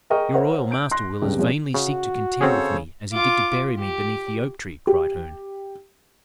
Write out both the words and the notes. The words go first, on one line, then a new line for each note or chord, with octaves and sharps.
"Your royal master will as vainly seek to contend with me as he did to bury me beneath the oak-tree," cried Herne.
G#4 A#4 D#5 G5 C#6 F6
A#4 C5 C#5 E5 F#5
G6 D7
C6 F#6 A#6
D1 G2 C#3 G4
C3 F3 G#3 C#4
C#3 F#4
C#3 C4 C#4 G#4 A4 C5 C#5
F4 D6
G4
G4